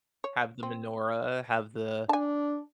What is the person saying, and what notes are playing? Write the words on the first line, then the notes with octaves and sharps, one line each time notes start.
Have the menorah, have the
C#5
C4
D4 G#5 A5